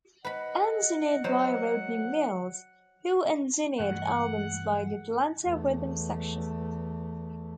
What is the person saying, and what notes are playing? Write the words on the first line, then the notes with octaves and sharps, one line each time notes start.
Engineered by Rodney Mills, who engineered albums by The Atlanta Rhythm Section.
B4 D#5 F#5 B5
F#3 C5
G2 E3 A3 F#5
E2 A3